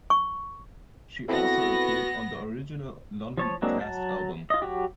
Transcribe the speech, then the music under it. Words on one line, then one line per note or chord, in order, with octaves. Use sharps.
She also appeared on the Original London Cast album.
C#6
B3 C4 E4 F#4 A4 A#6
F3 C#5 A5
F#3 G#3 A#3 C4 D4
F#3 A5
F4 D#5
F#3 F#4 G4